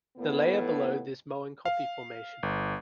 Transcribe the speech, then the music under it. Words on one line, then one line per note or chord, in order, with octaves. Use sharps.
The layer below this is Moenkopi Formation.
D#2 A2 B3
F5
G1